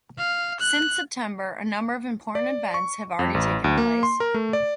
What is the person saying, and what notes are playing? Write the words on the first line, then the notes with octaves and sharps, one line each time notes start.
Since September, a number of important events have already taken place.
F5
F#6
D5
C#6
F2
A1
D2
A#3
C6
A#4
A3
D5